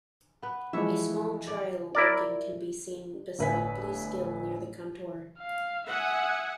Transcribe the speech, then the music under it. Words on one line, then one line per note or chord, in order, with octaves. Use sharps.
A small trial working can be seen beside Blease Gill near the contour.
B3 B4
E3 F3 G#3 E4 C#5 E5
D5
E4 A#4 D5
G1 A2 B4 E5 G#5 B6
F5
E5 F#5 G#5 D#6